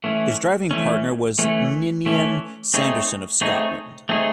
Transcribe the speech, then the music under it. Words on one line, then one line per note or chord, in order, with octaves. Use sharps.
His driving partner was Ninian Sanderson of Scotland.
E3 A3 C#4
E3 A3 C#4
E3 A3 C#4
E3 A3 C#4
A3 C4 D#4 G#4 C#5
A3 C4 D#4 G#4 C#5
A3 C4 D#4 G#4 C#5